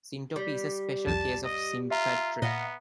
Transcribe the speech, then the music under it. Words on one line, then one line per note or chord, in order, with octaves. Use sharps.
Syntopy is a special case of sympatry.
G3
C2 F2 A5
D#5
F4 E5 A#5
A#2 B3 D#5 F5 F#5